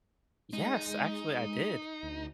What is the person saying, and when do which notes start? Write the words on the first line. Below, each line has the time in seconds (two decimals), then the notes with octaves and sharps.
Yes, actually, I did.
0.53 G#3 D#4
2.03 D2